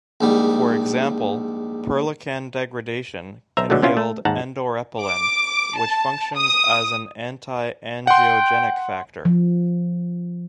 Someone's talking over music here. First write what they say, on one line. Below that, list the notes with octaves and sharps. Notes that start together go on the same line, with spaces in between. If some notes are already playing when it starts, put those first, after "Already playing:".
For example, perlecan degradation can yield endorepellin which functions as an anti-angiogenic factor.
A#1 G#2 G3
B1 C5 E5 A#5
B1 D3 F#3 G#3 A3
C3 B3 C#4 E4 F4
A3
D#2 G#2 F#5 A5 A#5
D6
A5
D#6
F#5 G5 C6
F3